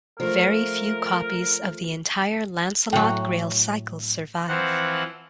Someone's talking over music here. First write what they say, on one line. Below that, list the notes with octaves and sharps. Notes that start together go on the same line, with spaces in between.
Very few copies of the entire Lancelot-Grail Cycle survive.
F3 A3 A#4
A2 F#3 G5
E3 F3 C4 F#5